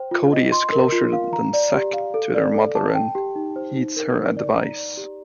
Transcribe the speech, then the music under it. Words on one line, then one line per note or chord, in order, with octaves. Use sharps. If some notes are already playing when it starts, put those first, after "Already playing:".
Cody is closer than Zack to their mother and heeds her advice.
Already playing: C5 G5
F4
D#5
C6
A#4
F4
F5
A#5
D5
G4
F5
A4
D5
A4
A5
G5
G4
D#4
C5
D#4
A#4
D#4
D5
A#5
D5
G4